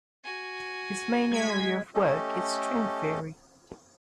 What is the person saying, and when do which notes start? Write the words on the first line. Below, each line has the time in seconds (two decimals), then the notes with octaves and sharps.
His main area of work is String Theory.
0.24 F#4 G#5
1.32 G#3 G#6 B6
1.94 A3 C#4 G4 A4 D#5